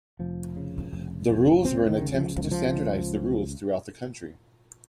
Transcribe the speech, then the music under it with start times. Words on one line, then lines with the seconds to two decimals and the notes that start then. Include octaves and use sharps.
The rules were an attempt to standardize the rules throughout the country.
0.19 F1 F3
0.56 C#3
0.92 F1
1.29 F1
1.64 C#2 C4
1.89 D#3
2.01 C#3
2.14 F3
2.37 C#2 F3
2.44 D#3
2.51 F3
2.74 C#2